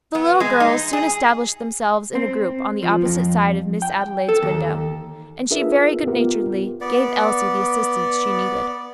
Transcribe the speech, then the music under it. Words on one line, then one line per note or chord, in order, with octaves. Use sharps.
The little girls soon established themselves in a group on the opposite side of Miss Adelaide's window, and she very good-naturedly gave Elsie the assistance she needed.
B3
G#3
D#4
G#4
C4
F3
F2
G5
A4
D#2
D4 F4 G#4 A#4 B4 E5
B3 F4 G4 A#4
B3 D5